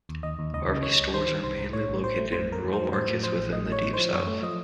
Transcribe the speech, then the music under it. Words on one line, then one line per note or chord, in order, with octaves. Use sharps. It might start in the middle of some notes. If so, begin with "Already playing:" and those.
Harveys stores are mainly located in rural markets within the Deep South.
D#2
D#2 D#5
D#2
C#2 D#5
C#3
C#2 C#5
C#2
D#3 C5
D#3
C2 C5
C2
A2 C#5
A1
A1 C5
A3
F2 C5
F2 A#4
F2
C5
F#3
A2 C5
A2
F3 C5
A1
A2 D#5
A2 C#5
A2
F3 C5
F#2 C#5
A3
F3 D#5